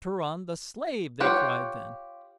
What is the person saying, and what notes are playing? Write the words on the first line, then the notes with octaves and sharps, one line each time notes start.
"Turan the slave," they cried then.
F4 G4 C#5 F#5